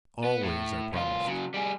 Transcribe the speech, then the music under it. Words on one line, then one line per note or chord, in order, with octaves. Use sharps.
"Always," I promised.
B3
A2
C2 F4
C#3 F#3
G3 G#4